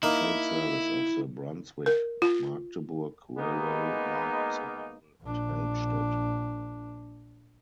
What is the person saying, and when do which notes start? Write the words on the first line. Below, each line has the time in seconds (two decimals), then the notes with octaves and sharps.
Train service of the Brunswick-Magdeburg railway line is available at Helmstedt.
0.03 A#3 D#4 E4
1.86 A#4
2.22 F4
3.37 G#3 A#3 B3 D#4
5.21 A#1 D4